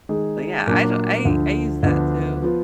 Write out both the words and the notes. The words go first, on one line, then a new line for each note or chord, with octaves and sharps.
But, yeah, I d I I used that too.
D#3 G#3 D#4 G#4
A#2 F#3 A#3 D4
D2 D3 F3
D2 D3 F3 B3 D4
F3 B3 F4